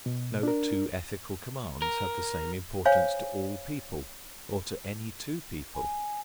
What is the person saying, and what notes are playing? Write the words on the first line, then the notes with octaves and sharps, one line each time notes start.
No two ethical commands have the same importance to all people or to any two people.
B2
D4 A#4
A#4
C5 C#5 F5 G#5
G#5